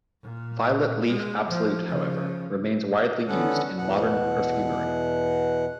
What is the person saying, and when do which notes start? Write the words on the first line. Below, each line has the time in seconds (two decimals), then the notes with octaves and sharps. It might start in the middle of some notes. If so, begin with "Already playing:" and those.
Violet leaf absolute, however, remains widely used in modern perfumery.
0.22 A#2
1.08 G#3
1.48 F3
1.88 C#3 F3
3.28 D3 B3 C#4 A4 F#5
3.78 E2 B2 F#5